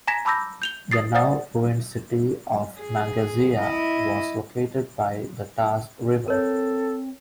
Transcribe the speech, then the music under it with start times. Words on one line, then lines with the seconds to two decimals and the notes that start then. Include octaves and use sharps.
The now ruined city of Mangazeya was located by the Taz River.
0.07 G#5 A#5 G#6 A#6 B6 E7
0.25 A5 B5 D6 E6 G6 A#6
0.62 G6 F7 G7
0.91 D#6 A6 C7
1.14 C5 D5 F#5 D#6 A6
2.80 G#4
3.59 E4 D#5
6.28 C4 A4 A#4 C#5